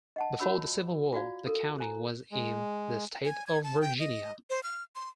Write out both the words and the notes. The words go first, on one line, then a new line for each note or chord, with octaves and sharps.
Before the Civil War, the county was in the State of Virginia.
D#5 F#5 A5
F4 F#4 C#5 B5 E6
F4 F#4 D5 F5
A4 A#4
C5 G#5 A#5
G#3
G#5
G#6
A5
G5
D#5
C5
F6
C6